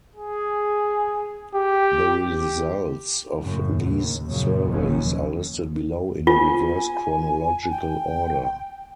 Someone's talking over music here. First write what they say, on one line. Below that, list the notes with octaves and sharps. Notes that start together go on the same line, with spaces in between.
The results of these surveys are listed below in reverse chronological order.
G#4
G4
F#2 A2 C#3
D#2
F#2 A#2 C#3 F3
F#1 D#2 B2 D#3 F3 C#4
F4 G#5
G5